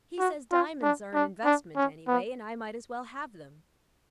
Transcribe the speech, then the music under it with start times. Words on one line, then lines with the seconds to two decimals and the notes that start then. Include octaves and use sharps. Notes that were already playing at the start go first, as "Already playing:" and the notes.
He says diamonds are an investment, anyway, and I might as well have them.
0.19 F#4
0.51 F4
0.82 D4
1.14 D4
1.45 D4
1.76 C#4
2.08 B3